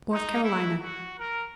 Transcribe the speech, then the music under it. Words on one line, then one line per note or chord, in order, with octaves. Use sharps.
North Carolina.
D#4
E4
F#4
A#4